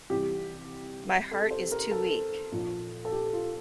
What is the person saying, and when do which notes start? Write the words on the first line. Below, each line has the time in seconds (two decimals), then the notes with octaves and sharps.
My heart is too weak.
0.10 C2 C3 E3 G4
1.31 A4
1.51 C5
1.72 A#4
1.91 A4
2.52 A#1 A#2 F3
3.05 A4
3.12 G4
3.33 F4